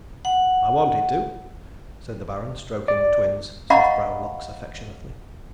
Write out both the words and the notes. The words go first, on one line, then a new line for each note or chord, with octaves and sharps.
"I wanted to," said the Baron, stroking the Twins' soft brown locks affectionately.
F#5
D5
D#5 F5 F#5 A#5 B5 C#6